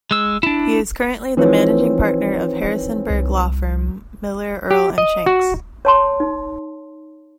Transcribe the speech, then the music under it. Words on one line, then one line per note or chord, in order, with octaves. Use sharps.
He is currently the managing partner of Harrisonburg law firm Miller, Earle and Shanks.
G#3 E6
D4 E4
E3 F3 C4 D#4 B4 C#5
C2
G4
D#5
F#4
C#5 A5 C6
D#4